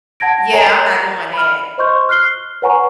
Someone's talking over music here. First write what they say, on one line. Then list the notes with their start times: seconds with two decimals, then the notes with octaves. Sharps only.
Yeah, I'm not doing that.
0.20 F#5 A5 G#6 A#6 D7
0.53 A#4 C#5 G#5 A#5
1.33 B5 F6
1.78 C5 D#5 C6 C#6 G6
2.09 F6 F#6 C7 G7
2.62 B4 C#5 F#5 G#5 A#5 C#6